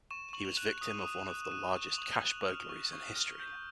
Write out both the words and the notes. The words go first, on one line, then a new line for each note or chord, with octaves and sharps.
He was victim of one of the largest cash burglaries in history.
C#6 E7
C#6 F#7
F7
F#6 E7
D#6
D#7
D#6
E7
F#6
E7
F#6 D#7
C#6
F7
C#6 F#7
F#6
F6
C#6
C#6
F6
G6